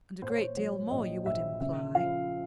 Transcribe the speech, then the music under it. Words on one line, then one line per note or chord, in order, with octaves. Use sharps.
'And a great deal more, you would imply.
A#2 C5
C#5
C5
F#3 C#5
A#1 D#5
A#1 E5
C#3 E5
F3 F5